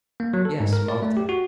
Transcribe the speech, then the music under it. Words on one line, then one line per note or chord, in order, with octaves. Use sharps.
"Yes; Malta."
A#3
F#3
A4
G#2
A#4
D5
A3
G4
F#4